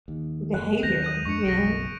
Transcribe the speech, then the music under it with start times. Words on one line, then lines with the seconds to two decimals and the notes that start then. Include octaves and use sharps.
behavior, you know?
0.08 D#2
0.54 F#1 A#3 F#6
0.83 D#2 F#3 G6 A#6 F7
1.03 D#6 G6 D#7
1.25 F2 G#3 D4 C#6 C#7
1.45 F#1 B1 C#3 A#6 D7